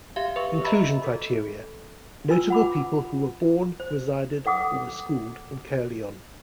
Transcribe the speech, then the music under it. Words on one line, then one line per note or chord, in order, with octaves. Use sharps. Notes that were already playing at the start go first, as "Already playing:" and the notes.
Inclusion criteria: notable people who were born, resided or were schooled in Caerleon.
G4 E5 F5
B4 E5 C#6
D#5 E5 A#5 B5 E6
A4
F4 B4 G#5 E6
F#5 B5 D6
C5
A4 F#5 D6 D#6